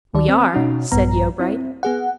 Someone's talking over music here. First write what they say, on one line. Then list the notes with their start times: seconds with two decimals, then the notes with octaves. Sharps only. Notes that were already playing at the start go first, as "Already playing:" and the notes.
"We are," said Yeobright.
0.14 D2 D#3 D5
0.29 C4
0.54 B2 C#4 D#4 F#4
0.92 A#1 G2 B3 A#5
1.40 C4 E4
1.83 B3 G#4 F#5